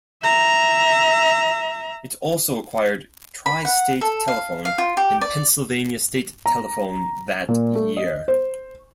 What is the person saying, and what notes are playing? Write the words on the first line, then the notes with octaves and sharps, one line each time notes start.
It also acquired Tri-State Telephone and Pennsylvania State Telephone that year.
E5 A#5
B5
F#5
A4
F5
F5
F4
G4
D5
A#5
A#2
A3
D#5
C5